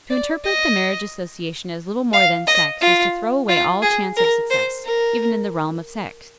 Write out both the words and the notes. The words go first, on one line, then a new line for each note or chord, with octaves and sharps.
To interpret the marriage association as little more than sex is to throw away all chance of success, even in the realm of sex.
D5
D#5
F5
D#5
F4
F4
G#4
A#4
C5
A#4